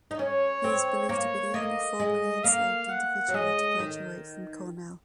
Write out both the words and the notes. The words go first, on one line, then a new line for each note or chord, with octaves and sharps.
He is believed to be the only formerly enslaved individual to graduate from Cornell.
D#4
C#4 C#5
C4
A#3 C#5
A#3 D#5
G#3
A#3 F5
F#5
F#3
G#3 D#5
D#3